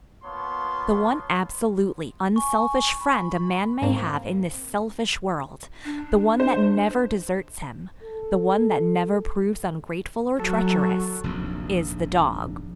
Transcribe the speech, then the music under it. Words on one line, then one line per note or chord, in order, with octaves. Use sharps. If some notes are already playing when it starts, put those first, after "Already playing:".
The one absolutely unselfish friend a man may have in this selfish world, the one that never deserts him, the one that never proves ungrateful or treacherous, is the dog.
A#3 B3 F4 C#5 A5 C6
G#5 C#6
B5
G#2 A#3 C4
D4
C5
A4
F#3 F#4 A4
F1 A#1 D#2